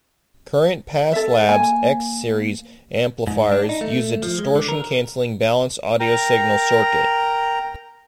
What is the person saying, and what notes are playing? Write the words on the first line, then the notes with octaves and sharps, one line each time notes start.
Current Pass Labs "X" series amplifiers use a distortion canceling balanced audio signal circuit.
A4 E5
A#3 G#5
G#2
D4
D#4
A3
F3
G#3
D3
A#4
A#4 G5 A#5